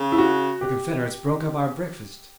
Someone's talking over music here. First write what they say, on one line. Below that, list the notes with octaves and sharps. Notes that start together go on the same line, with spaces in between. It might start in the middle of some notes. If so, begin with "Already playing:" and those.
The Confederates broke up our breakfast.
Already playing: C#3
E4
F#4
G4